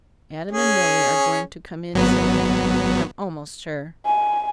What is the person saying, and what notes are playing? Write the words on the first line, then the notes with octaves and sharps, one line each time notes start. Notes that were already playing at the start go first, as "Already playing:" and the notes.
Adam and Milly are going to come in soon, I'm almost sure.
C#4 G#4
G#1 F#3 B3
G#5